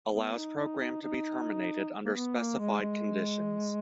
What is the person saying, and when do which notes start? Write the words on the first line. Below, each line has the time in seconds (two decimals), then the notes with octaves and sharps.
Allows program to be terminated under specified conditions.
0.12 B3
0.35 D#4
0.57 D#4
0.80 D#4
1.02 D#4
2.06 A#3
2.14 B3
2.37 A#3
2.59 G#3
2.81 G#3